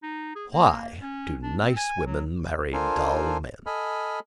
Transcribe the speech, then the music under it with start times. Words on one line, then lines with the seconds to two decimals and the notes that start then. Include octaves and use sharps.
"Why do nice women marry dull men?"
0.03 D#4
0.35 G#4
0.53 A#3
1.02 C#4
1.43 D4
1.62 C4
1.76 G#5
2.06 F#3
2.73 D4 F4 A4 A#4 C5 G#5
3.66 A4 D#5 G#5 B5 F6